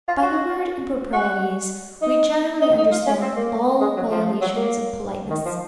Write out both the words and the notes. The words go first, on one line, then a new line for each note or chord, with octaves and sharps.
By the word improprieties, we generally understand all violations of politeness.
F4
F#4
F#4
D#4
D#4
D#4
F4
C#4
C4
A#3
G#3
F#3
F3
F#3
A#3
D#3
F3